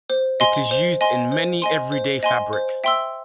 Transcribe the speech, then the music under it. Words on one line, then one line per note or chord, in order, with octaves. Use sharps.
It is used in many everyday fabrics.
C5
D#5 G#5 C6
C5
D#5 G#5 C6
C5
D#5 G#5 C6
C5
D#5 G#5 C6
C5
E5 G5 C6 E6